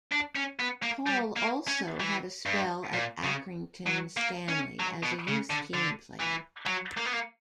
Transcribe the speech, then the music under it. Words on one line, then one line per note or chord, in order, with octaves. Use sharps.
Paul also had a spell at Accrington Stanley as a youth team player.
D4
C#4
B3
A#3
G3
A#3
C#4
E3
G2
A#2
C#3
F#3
A#3
C#4
F#3
B2
C#3
D3
D3
E3
F#3
A#3
B3
A#3